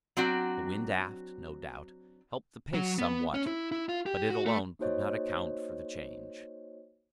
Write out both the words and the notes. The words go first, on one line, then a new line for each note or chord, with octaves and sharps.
The wind aft, no doubt, helped the pace somewhat, but it alone could not account for the change.
F#3 C4 D4 F#4
F#3
B3
C#4
E4
E4
F4
G4
F#4
A3
A#3 D#4 F#4 C5 C#5 D#5